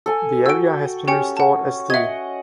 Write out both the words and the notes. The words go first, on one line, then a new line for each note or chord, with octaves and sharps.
The area has been restored as the.
A4 G#5
F#4 G5 E6 D7
C#4 G4 G5 C#7
F#5 A5
D#5 E5 F#5 G#6